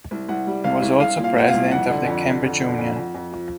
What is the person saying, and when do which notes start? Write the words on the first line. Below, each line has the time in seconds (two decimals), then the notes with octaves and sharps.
He was also president of the Cambridge Union.
0.11 C2
0.29 C2 F#5
0.47 G3
0.64 C2 F5
0.82 C2
1.00 C2 F5
1.18 A#2
1.24 F5
1.36 A#2 F#5
1.48 F5
1.54 C2
1.71 F2 F#5
1.90 D3
2.07 F2
2.25 D3
2.43 F2
2.61 D3
2.78 F2
2.96 F2
3.14 F2
3.31 F3